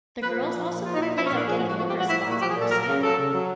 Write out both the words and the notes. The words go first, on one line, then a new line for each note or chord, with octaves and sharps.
The girls also complain of getting liver spots on their skin.
F3 B4
A#2
F3
A#2
F3 F4
D#4
A#2 E4
F3 E4
C#4
A#2 D4
F3 G#4
F#4
A2
F#4
F3 F#4
G4
A2
F#4
F3 E4
A#2
F#4
F3 G4
G#4
A#2
A4
F#3 A#4
A#4
C#3
F#3 A4
C#3
F#3